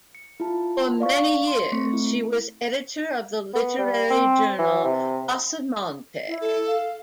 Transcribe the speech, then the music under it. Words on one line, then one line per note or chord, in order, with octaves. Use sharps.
For many years she was editor of the literary journal "Asomante".
C#7
E4 F4 A5
D5 F5 C#6
C6
A3 C4 C#6 C#7
E4
B3
G3
C4
E3
C3
E4
A4
F5